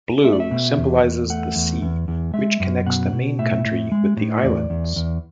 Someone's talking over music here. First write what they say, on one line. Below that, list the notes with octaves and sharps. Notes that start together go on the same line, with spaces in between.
Blue symbolizes the sea, which connects the main country with the islands.
A3 E5
D5
E5
B2
E2
E2
A3 F#5
E2
E2
E2
G#3 E5
F#2
B2 F#5
B2
A2 E5
A2
G#3
A2
E2 D5
E2
E2